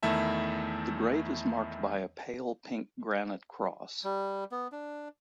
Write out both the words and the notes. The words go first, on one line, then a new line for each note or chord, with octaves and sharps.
The grave is marked by a pale pink granite cross.
E2 D#3 A3 E4 E5 A5
G3
B3
D4